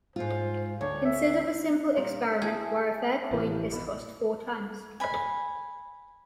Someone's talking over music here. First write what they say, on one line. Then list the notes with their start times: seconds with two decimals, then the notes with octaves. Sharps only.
Consider the simple experiment where a fair coin is tossed four times.
0.16 G#2 F4 C5
0.81 D2 C#5
1.05 E5
1.96 A#2 G3 A#3 F5
2.42 E4 F4 G#4 E5 G#5 A5
3.31 A1 C3 E3 F3 B3 G4
3.71 E2 B2 E3 B5
5.00 G#5 B5